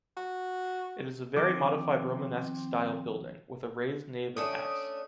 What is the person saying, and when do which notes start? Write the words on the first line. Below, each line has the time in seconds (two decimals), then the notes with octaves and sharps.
It is a very modified Romanesque-style building, with a raised nave and apse.
0.17 F#4
1.37 D#3 F3 C4 D6
4.37 A3 C#4 D4 D#6